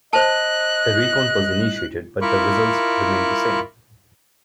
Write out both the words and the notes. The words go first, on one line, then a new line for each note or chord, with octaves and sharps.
A recount was initiated but the results remained the same.
C5 D#5 A5 F#6
E4 F4 A#4 B5 C#6 D6